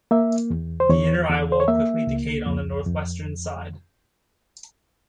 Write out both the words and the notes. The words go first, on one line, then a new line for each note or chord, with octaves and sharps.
The inner eyewall quickly decayed on the northwestern side.
A#3 E5
E2
C5
E2 C#5
E2
C5
C#5
A#3 E5
C#2
F2
F2